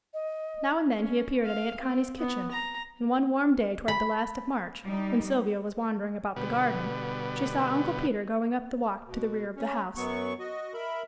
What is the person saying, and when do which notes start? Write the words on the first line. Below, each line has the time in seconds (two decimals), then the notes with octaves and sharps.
Now and then he appeared at Aunt Connie's kitchen, and one warm day toward the last of March, when Sylvia was wandering about the garden, she saw Uncle Peter going up the walk to the rear of the house.
0.14 D#5
0.98 C#4
1.44 F5
1.81 C4
2.18 B3
2.51 A#5
3.88 B5
4.84 G3 D#4
6.36 B2 D3 G3 B3
9.06 B2
9.56 C#4
9.96 F#2 F#3 B3 C#6
10.39 F#4 D#5
10.74 A#4 E5 B5